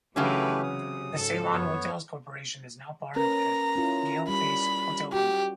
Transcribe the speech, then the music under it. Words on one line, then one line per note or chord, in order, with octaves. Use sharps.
The Ceylon Hotels Corporation is now part of the Galle Face Hotel Group.
C#3 E3 F#3 A3 C#4 E4 G4 B4
C3 D#6
G#2 A4
F#2 B3 C#5
C#4 A#4 B4 A#5
C#4 E4 F4
G3 B5
F#4 G4